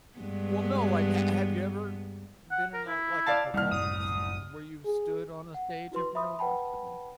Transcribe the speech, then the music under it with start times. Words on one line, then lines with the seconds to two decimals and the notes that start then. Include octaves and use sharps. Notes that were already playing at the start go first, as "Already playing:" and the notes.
Well, no, like, ha have you ever, uh, been in a like, a performance, where you've stood on a stage in front of a bunch of people?
0.18 G2 G#3 B3
2.51 F#5
2.74 A#4
2.87 E4
3.26 D5 F5 A5
3.54 C2 G3 A3 A#3 F6
3.71 F#2 A2 C#3 D#6
4.85 G#4
5.54 F#5
5.92 E4 F#4 B4 C6
6.15 E5 B5 C6 D#6
6.39 B4 F#5 G5 A5 B5